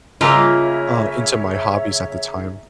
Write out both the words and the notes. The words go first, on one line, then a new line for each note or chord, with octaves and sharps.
uh, into my hobbies at the time.
C#3 A#3 F4 C#5 D#5 E5 A#5 E6